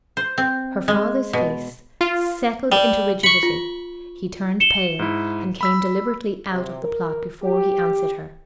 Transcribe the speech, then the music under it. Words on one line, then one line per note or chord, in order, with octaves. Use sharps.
Her father's face settled into rigidity, he turned pale, and came deliberately out of the plot before he answered her.
C5
C4
G#3
B2
F4
G3
B5 C#6 C#7
F4
C#7 E7 G7
G#2 E4
B5 E6 B6
C3
A#4
G4